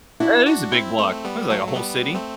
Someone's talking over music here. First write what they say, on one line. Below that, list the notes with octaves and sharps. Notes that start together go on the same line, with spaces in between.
That is a big block, it's like a whole city.
D4 E4 F#4
D4 F#4
C4 E4
A3 C4
G3 B3
F#3 A3
A3
G3 B3
A3 C4